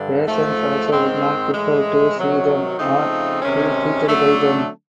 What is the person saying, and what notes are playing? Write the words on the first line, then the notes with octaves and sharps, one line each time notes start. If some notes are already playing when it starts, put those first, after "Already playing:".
Patients also would not prefer to see them or be treated by them.
Already playing: G2 D3
G#2 F3 A3
G#2 D#3 G#3 C4
A2 E3 G#3
C3 D#3 F#3
C#3 F3 A3 C4 D#4
C3 D#3 G#3 C#4
D3 F#3 A3 D4